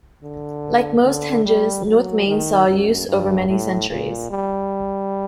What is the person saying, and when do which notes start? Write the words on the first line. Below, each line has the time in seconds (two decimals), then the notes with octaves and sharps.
Like most henges North Mains saw use over many centuries.
0.23 D3
1.04 D3
1.45 G3
1.86 F#3
2.27 D#3
2.68 F#2
3.08 G2
3.49 A2
3.90 A#2
4.30 G3